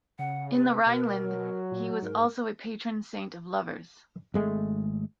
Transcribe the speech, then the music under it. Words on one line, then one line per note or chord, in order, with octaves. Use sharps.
In the Rhineland, he was also a patron saint of lovers.
C#3 F#5
C3 B4
B2 A#4
F#3
A#2
G#2 A#4
G#1 G#3 A3